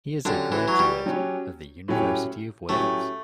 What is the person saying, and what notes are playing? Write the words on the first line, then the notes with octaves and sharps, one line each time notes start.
He is a graduate of the University of Wales.
D3 F#3 C#4 G4
E3
F#3
G3
F#3 C#4 G4
A2 F#3 C#4 G4
A2 F#3 A3 C#4 G4